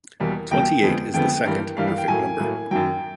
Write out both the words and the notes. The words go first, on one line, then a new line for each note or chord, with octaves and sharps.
Twenty-eight is the second perfect number.
E2 B2 G3 A#3
E2 B2 G3 A#3 G5
F2 D3 F3 G#3 B3
F2 D3 F3 G#3 B3 G5
G2 E3 G3 A#3
G2 E3 G3 A#3 F5
F5
G5
A2 F#3 A#3 G#5
A2 F#3 A#3
F#2 D#3 F#3 G5